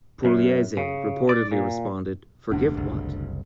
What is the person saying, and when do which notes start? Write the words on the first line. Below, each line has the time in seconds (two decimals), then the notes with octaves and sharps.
Pugliese reportedly responded, Forgive what?
0.25 F#2
0.77 C#3
1.29 D5
1.51 A#2
2.51 F1 D2 G2 D3
2.77 F#1 C2